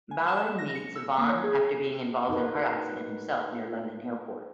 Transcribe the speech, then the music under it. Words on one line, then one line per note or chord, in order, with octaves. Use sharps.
Ballard meets Vaughan after being involved in a car accident himself near London Airport.
G#5
E7
A#6
C#7
E6
A#3
C#5
G#4
D#4 F#4 A#4 B4